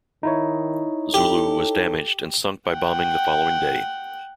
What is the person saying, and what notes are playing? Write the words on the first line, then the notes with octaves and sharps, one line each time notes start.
"Zulu" was damaged and sunk by bombing the following day.
D#3 D#4 E4 C#5
G4 A4
F#5 G5